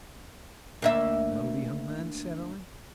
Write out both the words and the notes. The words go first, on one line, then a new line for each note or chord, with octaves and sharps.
"Do you know the young man?" said I.
D2 A#3 E5